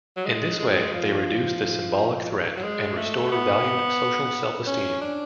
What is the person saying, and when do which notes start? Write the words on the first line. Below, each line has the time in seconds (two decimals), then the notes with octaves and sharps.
In this way, they reduce the symbolic threat and restore valued social self-esteem.
0.17 F#3
0.25 G#3
0.60 G#3
0.68 F#3
0.75 G#3
0.93 F3
2.57 F#3
2.63 G#3
2.97 A3
3.32 B3
4.67 C#4
5.02 D4